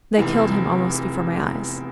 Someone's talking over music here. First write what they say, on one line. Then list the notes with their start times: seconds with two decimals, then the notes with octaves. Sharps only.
"They killed him almost before my eyes."
0.17 F1 E2